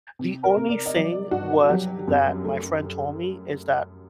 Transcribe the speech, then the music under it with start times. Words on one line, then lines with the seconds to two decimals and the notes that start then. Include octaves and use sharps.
the only thing was that my friend told me is that
0.19 C3
0.44 A#4
0.57 C3
0.69 D5
0.86 D#5
0.94 F#3 D5
1.31 G2 F#4
1.69 F#3 G4
2.08 F#2
2.44 A3